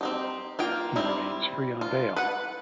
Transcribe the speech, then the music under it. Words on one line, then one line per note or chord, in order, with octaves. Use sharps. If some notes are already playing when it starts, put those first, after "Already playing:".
He remains free on bail.
C4 D#4 G4
A#3 F4 G5
G3 C4 E4
F4
B4 F#5